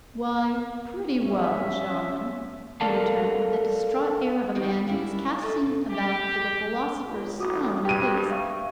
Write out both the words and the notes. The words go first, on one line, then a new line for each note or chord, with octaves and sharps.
"Why, pretty well, John," he returned, with the distraught air of a man who was casting about for the Philosopher's stone, at least.
C#4 E5
A4 A#4 D5 F5 A5
D#3 B3 C4 D#4 G4
A#3 C#4 D4 E4
F4 A4 D#5 E5
B2 D3
G4
C#2
A1 F#4 D6 D#6
G2 G4 D#7
E5 F5 C#6